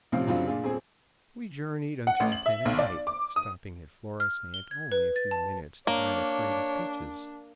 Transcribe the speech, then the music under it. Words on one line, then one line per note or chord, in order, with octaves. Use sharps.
We journeyed until ten at night, stopping at Florisant only a few minutes to buy a crate of peaches.
A1 C3 F3 C4 F5
F#2 C#3 F#3 C4 D4 F4
A#2 D4 F4 G#4
D#1 C4 G#4
F#5
A1
F#7
E5
B1
D5
D6
D#6
F6
G7
G#6
B4
A6
A5
A#3 D4 C#5